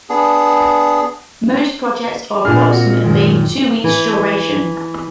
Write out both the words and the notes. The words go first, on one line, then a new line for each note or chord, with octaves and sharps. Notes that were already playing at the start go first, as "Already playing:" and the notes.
Most projects are approximately two weeks duration.
B3 D4 G#4
A#2 D4 G#4 F6
C4 F#4
F#2 D#3 G#3
E3